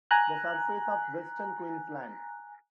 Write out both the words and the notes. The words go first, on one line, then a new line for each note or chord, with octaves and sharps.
The surface of western Queensland.
G#5 A#5 F#6